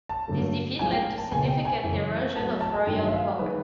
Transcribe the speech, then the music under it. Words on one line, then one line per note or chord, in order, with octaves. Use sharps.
This defeat led to significant erosion of royal power.
A5
G2 D3 F#3 A3
A2 F3 G#3 G#5
G5
A5
C#2 B2 G#3 G#5
G5
G#5
F#2 C#3 E3 G#3
A2 F#3 A3 A5
A5
G#5
G2 D#3 F#3 A3 G5
E5
F5
D#3 G#3 B4